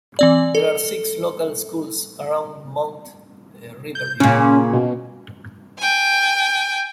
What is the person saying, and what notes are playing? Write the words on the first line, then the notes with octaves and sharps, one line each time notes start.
There are six local schools around Mount Riverview.
E3 C4 D5
A4
G6
A#2 C#3 C#4
B2
G5 G#5